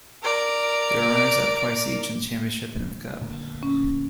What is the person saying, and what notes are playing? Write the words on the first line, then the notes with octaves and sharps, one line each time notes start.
They were Runners up twice each in the championship and in the cup.
A#4 D5
A#2 D3 A3
C#4